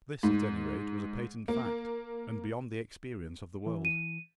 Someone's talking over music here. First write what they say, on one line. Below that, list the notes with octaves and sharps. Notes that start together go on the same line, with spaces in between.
This, at any rate, was a patent fact, and beyond the experience of the world.
G#2
A#3
E3
D#7